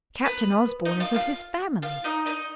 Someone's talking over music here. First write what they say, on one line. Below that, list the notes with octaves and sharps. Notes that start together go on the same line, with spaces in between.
Captain Osborn is of his family.
B3 B4
D#4 D#5
F4 F5
F4 F5
F4 F5
D#4 D#5
D#4 D#5